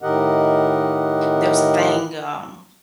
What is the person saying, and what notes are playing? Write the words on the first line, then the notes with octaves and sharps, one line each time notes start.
there was a thing, um,
A2 D#3 G4 A#4 D#5 F#5